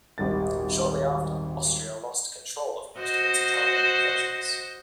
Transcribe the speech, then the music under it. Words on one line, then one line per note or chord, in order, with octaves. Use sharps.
Shortly after, Austria lost control of most of its Italian possessions.
D#1 G#1 G3 A6
F#4 C5 D#5